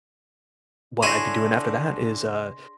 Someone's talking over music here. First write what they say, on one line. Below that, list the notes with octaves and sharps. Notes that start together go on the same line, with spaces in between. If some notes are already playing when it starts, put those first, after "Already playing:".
What I'd be doing after that is, uh
D3 E4 G#4 C#5 G#5 C6 A#6